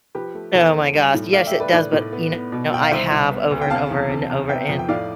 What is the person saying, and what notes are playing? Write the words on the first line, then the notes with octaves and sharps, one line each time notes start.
Oh my gosh, yes, it does, but, you know, I have over, and over, and over, and,
F3 G4 B4
A3
E2 A4 C5
A3
G3
A2
A3 D5 F5
E5 G5
A3
B4 D5
A2 B4 D5
A2
B3
B3
B2
B2 G5
F5
C2 C5 E5
C2
B3
D2
G5
C3 F5 A5
E2
C3
C3
B3 E5 G5
F2
G5
A2 D5 F5